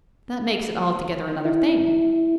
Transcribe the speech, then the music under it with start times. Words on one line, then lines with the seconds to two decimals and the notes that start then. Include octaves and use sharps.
That makes it altogether another thing.
1.45 E4